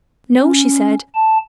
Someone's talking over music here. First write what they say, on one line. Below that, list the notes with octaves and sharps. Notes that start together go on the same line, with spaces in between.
"No," she said.
C#4
A5